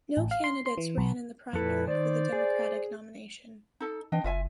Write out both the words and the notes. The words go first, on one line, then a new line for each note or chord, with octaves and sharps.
No candidates ran in the primary for the Democratic nomination.
A1
F5
C6
C6
E3
B1
F2 A#2 E4 A4 B4
D#3 C5 D5
G#4
D#4 A4
E3 D4 D#5 G5
F#1 F4 E5 G#5